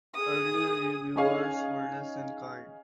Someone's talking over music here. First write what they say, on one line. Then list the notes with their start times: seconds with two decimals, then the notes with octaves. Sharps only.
Early reviewers were less than kind.
0.15 G#4 D#6
1.16 C#4 D#4 G#4 C#5 F5 G#5